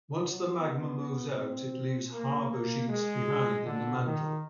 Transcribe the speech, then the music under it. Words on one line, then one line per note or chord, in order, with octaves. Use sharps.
Once the magma moves out it leaves harzburgites behind in the mantle.
F#3
B3
C4
A#3
A#3
G#3
D3
D#3